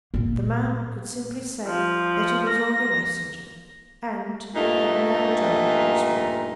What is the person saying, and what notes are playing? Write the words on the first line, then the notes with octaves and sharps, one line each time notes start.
The man could simply say that he was only a messenger, and had now done his work.
A#2 A#3
F3
A#6
G2 A#2 A3 D#4